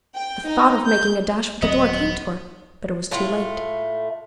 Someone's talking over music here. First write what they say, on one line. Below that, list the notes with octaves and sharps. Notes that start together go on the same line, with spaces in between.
The thought of making a dash for the door came to her, but it was too late.
G5
D#4
G6
D#1 F#3 B3 C4 D#5
A2 A3 F4